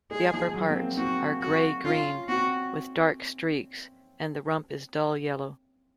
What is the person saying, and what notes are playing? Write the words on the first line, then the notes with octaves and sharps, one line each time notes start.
The upperparts are grey-green with dark streaks and the rump is dull yellow.
G#3 G#4
F3
F#3
C4
A#3
C4 F#4
F#4
C#4 F4
C4 F#4